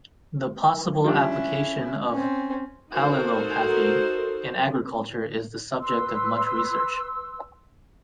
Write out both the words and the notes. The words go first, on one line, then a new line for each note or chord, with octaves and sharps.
The possible application of allelopathy in agriculture is the subject of much research.
F3 G3 C#4 D4 E4
C4 C#4
D#4 F#4 A4 A#4 C5
B4 C6 E6